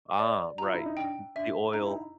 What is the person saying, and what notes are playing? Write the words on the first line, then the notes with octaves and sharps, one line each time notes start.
Ah, right. M the oil.
D5
F4 A#5
E4
D#4
D4 G5
D4 E5
D#4 A#5
E4
D#4